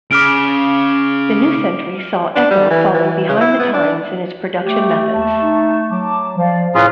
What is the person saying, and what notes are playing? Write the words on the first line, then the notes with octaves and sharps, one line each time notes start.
The new century saw the "Echo" falling behind the times in its production methods.
C#3 D6 F6 D7
D4
G3
E3
E3
C#3
E4
B3
D4
A3 G4
D#2 A5 C#6
D#4
F#3 A5 D6
F3 D5 F5
A2 C#4 F4 G#4 B4 A#5 F#6